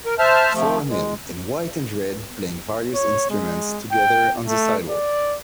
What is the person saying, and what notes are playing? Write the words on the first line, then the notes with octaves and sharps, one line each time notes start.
Four men in white and red play various instruments together on the sidewalk.
A#4
C5 E5 A5 F6
C3 F3 A3
G#3
C#5
G#3
G5
A3
D5